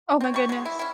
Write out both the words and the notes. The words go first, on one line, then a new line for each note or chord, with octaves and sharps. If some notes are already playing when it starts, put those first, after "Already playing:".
Oh my goodness.
C4 C#5
G3 C#6
F#3 G#3
E4
C#4 E4